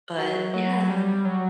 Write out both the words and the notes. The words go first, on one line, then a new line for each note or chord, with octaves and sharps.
but yeah.
F#3
F#3
G3
F#3